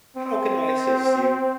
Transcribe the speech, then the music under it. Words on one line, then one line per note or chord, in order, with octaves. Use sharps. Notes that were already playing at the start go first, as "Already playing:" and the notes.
How can I assist you?
C4